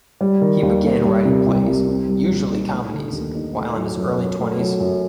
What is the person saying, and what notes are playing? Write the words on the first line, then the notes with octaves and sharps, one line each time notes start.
He began writing plays, usually comedies, while in his early twenties.
G3
D#3
D#2
A#3
G3
C3
C2
C2
C4
G3
A#2
D#4
A3
D3
D#2
D#4
A3
F#3
F#2
F#2
A3
F#3
F#2